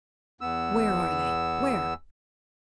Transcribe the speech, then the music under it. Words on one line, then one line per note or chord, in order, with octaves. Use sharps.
Where are they? Where?
E2 B3 E6